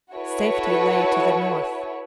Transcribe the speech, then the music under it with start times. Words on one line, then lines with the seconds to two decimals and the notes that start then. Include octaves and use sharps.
"Safety lay to the north."
0.14 E4 F#4 A4 B4 C#5